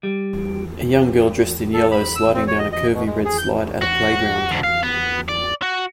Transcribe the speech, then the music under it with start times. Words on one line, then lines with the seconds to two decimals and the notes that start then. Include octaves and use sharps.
A young girl dressed in yellow sliding down a curvy, red slide at a playground.
0.03 G3
1.74 A4
1.92 B5
2.15 E6
2.34 C4
2.48 C#5
2.59 D#5
2.72 D#5
2.94 B2
3.06 G#3
3.25 G#4
3.38 G6
3.81 F#4
4.51 G#2 D3
4.64 F5
4.83 B3
5.28 D5
5.62 F#4